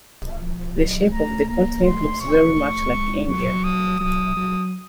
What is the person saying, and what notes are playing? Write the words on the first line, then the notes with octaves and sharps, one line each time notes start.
The shape of the continent looks very much like India.
F3
F#3
A3 A#5
A#3 A#5
A3 C6
C#6
A3
G#3
F#3 C#6
D#6
F#3 D#6
F#3